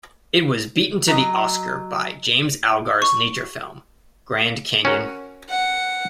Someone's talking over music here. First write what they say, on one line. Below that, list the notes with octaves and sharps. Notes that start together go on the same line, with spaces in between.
It was beaten to the Oscar by James Algar's nature film "Grand Canyon".
F#3 D#5
C#6
C#4 F#4 A#4
F#5